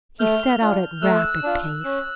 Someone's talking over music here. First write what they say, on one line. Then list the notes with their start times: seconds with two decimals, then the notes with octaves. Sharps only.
He set out at rapid pace.
0.20 A3 F6 G6
0.61 D4 F4
1.02 A3 E6 F#6
1.43 D4 F4
1.84 C#4